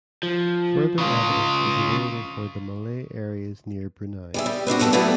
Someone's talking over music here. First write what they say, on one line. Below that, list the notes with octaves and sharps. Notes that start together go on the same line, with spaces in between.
Further evidence is available for the Malay areas near Brunei.
F3
C#3 F4
G3 G#4 E5
G3
B3 C4 D4 F#4
E2 G2 F#3 A4 C#5 F#5
F#3 G3 A3 B3 E4 D5